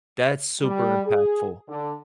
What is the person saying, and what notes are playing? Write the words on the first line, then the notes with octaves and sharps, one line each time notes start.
that's super impactful.
G3
G#4
D3